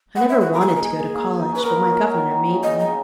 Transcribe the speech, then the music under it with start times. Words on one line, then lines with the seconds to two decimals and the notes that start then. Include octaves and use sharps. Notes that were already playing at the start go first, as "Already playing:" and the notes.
I never wanted to go to college; but my governor made me.
0.16 B3 F#5
0.28 B3 E5
0.40 B3 F#4
0.53 A#3 A#4
0.60 G#4
0.66 G#3 F#4
0.76 A#4
0.81 G#4
1.14 A#3
1.39 D#4
1.52 C#4 B4
1.64 B3 A#4
1.76 A#3
1.90 F#3
2.14 D#3
2.31 D#3
2.47 C#3
2.63 B2 D#5
2.76 D#3 D#5
2.88 C#3